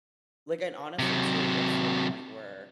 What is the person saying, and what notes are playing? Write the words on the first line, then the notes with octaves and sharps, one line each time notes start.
like, and, honestly, too, it gets to a point where
C3 F#3